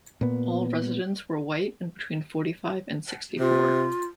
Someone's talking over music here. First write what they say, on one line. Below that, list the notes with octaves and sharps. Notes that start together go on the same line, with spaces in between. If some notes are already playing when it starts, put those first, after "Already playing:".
All residents were white and between forty-five and sixty-four.
A#2 B3
C3 F4